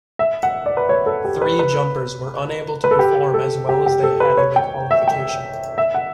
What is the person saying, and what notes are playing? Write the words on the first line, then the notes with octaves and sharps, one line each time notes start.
Three jumpers were unable to perform as well as they had in the qualification.
E5
F#5
D5
B4
C#5
A4
G4
B4
B4
B4
A4
G4
A4
G4
G4
A4
B4
C#5
G5
E5
G5
E5
F#5